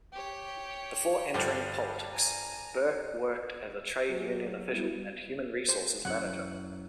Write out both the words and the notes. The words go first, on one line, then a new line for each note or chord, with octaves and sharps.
Before entering politics, Burke worked as a trade union official and human resources manager.
G4 C#5
G2 D3 F3
G#5 A#5
F#3 G#4
G3 B3 E4
C5
F#2 E3 F#5